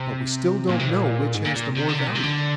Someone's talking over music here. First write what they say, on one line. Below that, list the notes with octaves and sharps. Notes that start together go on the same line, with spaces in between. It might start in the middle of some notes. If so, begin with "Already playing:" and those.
But we still don't know which has the more value.
Already playing: C3
A#2
C3
A#2
G#2
A#2
A#2
C3
D3
C3
A#2
C3
D3